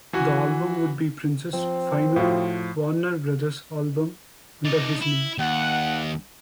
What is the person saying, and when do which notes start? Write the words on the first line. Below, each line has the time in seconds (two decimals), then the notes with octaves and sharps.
The album would be Prince's final Warner Brothers album under his name.
0.13 E3 F#4 G#5
1.53 F3 C4
2.16 A2 F3 F4 F#4 F5
4.65 D#4 D5
5.01 E4
5.38 D#2 F#5